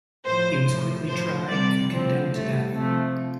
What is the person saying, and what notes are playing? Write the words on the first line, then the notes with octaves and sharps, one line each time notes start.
He was quickly tried and condemned to death.
A2 F3 C5
A2 F3
A2 F3 C5
C3 G3 D5
A2 F3 C4
A2 G3 A3
C3 F3 A3